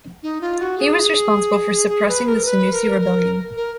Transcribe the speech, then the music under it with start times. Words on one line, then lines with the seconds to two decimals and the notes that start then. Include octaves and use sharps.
He was responsible for suppressing the Senussi rebellion.
0.23 D#4
0.41 F4
0.60 F#4
0.78 G#4
1.89 G#4
2.09 B4
2.27 A#4
2.45 B4
2.73 A#4
3.01 A#4
3.57 A#4